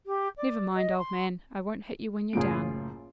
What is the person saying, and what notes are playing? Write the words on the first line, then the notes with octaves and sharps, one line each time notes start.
Never mind, old man, I won't hit you when you're down.
G4
D5
D#5
C6
F#1 A2 C#4 F4 G#4 D7